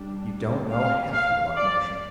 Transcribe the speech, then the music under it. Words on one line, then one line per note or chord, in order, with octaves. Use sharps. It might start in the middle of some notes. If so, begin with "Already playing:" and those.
You don't know half your luck, Marsham....
Already playing: G3 D4
F5
F5
D5